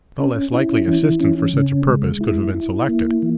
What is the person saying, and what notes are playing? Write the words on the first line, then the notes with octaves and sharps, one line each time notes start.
No less likely assistant for such a purpose could have been selected.
C#4
E4
E3
C#4
C#3
G#3
E4
E4
A#3
E3